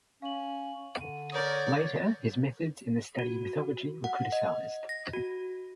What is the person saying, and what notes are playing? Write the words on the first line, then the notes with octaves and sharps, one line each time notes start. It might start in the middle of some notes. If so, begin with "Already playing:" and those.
Later his methods in the study of mythology were criticized.
C#4 F5 F#7
D3 D#7
A#4 C#5 D5 D#6 G6
F#4
F#5
D#5
A#6
F#4